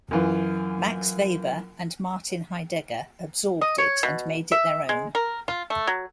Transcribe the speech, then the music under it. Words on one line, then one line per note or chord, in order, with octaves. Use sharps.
Max Weber and Martin Heidegger absorbed it and made it their own.
F#2 E3 F4
D#5
C#5
B2
E5
G#3
A#4
F4
A3
F#3